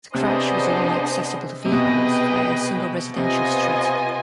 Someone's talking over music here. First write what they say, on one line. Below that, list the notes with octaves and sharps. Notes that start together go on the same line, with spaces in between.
The crash was only accessible to vehicles via a single residential street.
C3 B3 D4 G#4 C5 D#5
C3 G#4 B4 D#5 G5
B2
B2
C3 B3 F4 C5 D#5 G#5